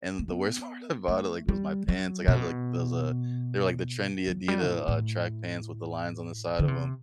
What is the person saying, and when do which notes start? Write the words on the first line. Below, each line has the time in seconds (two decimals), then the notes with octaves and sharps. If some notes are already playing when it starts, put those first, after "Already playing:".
and the worst part about it, like, was my pants. I got, like those uh, they're, like, the trendy Adidas, uh, track pants with the lines on the side of 'em,
0.19 A3
0.28 B3
1.08 A3
1.49 G3
1.89 F#3
2.28 B2
4.28 F#3
4.48 G3
4.68 A2
4.88 A2
6.59 D3
6.68 C3